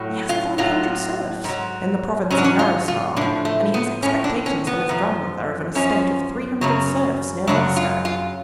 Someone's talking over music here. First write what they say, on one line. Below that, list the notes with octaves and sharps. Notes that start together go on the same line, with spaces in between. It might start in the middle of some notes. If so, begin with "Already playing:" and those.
He has five hundred serfs in the province of Yaroslav, and he has expectations from his grandmother of an estate of three hundred serfs near Moscow.
Already playing: A2 F#3
F4
A2 F#3 F4
G#2 F#3
G#2 F#3 C#4
D4
C#4
F4
F4
A2 F3 D4
A3
B3
A2 F3 C#4
D4
C#4
B3
F#2 F3
F#2 F3 C#4
F#2 C#3 F#3
F#2 C#3 F#3 D4
F4
F4